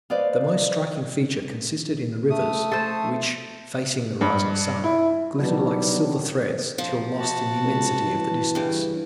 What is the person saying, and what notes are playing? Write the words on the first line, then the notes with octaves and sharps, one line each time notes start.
The most striking feature consisted in the rivers, which, facing the rising sun, glittered like silver threads, till lost in the immensity of the distance.
B4 C5 D5 D#5 F5
A3 D#6
A4 C5
G2
E4
B2 D3 D#3 F#3 G3 B3
F3
F#4 A5
C#2
E3
G2 C#3